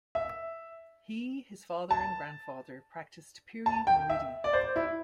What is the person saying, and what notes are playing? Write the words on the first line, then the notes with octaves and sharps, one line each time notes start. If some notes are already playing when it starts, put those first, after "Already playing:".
He, his father and grandfather practised piri-muridi.
E5
A5
A5
G5
E5
D5
C5
E4